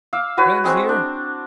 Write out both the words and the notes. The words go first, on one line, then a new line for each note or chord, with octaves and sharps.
Friends here.
F5 D6 E6
F#4 B4 C#5
G#3 C4 C#6
D4